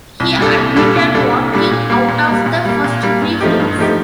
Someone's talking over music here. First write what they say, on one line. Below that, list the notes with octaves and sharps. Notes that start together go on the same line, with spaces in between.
He admitted walking out of the first three films.
C2
A#2 G3 D4 A4
C2
A#2 G3 D4 A4
C2
A#2 G3 D4 A4
C2
A#2 G3 D4 A4
A#2
G3 A#3
A#2
G3 A#3
A#2
G3 A#3
A#2
G3 A#3
G2
F3 A3 D#4 G4
G2
F3 A3 D#4 G4